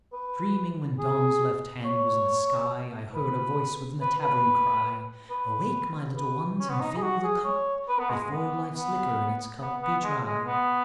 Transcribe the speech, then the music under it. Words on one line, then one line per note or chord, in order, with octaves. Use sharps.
Dreaming when Dawn's Left Hand was in the Sky I heard a Voice within the Tavern cry, "Awake, my Little ones, and fill the Cup Before Life's Liquor in its Cup be dry."
B4
G#4
C#5
B4
B4
B4
B4
B4
C#4
B3
D#4
D#4
G#4
F#4
G#4
C#5
B4
B3
G#3
G#3
B3
B3
B3
B3
G#3
G#3
B3